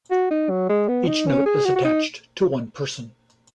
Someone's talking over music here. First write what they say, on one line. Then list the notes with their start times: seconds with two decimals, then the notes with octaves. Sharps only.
Each note is attached to one person.
0.11 F#4
0.31 D#4
0.50 F#3
0.69 G#3
0.88 B3
1.07 D#4
1.27 C#4
1.46 G#4
1.65 F#4
1.76 F#4
1.84 D#4